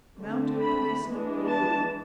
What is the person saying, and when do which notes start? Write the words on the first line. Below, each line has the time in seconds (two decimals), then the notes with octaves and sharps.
Mounted Policeman O'Roon.
0.18 D3 A3 C4
0.62 B5
1.05 E3 G#3 B3 D4
1.49 A5